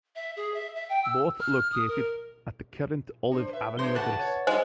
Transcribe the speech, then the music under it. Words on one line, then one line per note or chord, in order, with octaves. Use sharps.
Both located at the current Olive Avenue address.
E5
G#4
E5
E5
G5
E6
F6
D#6
A#4
D4 C5
B4 E5
G3 D4 G#4 C5
C#3 F#4 B4 F#5 A5
C#5
G3 G#3 D4 C5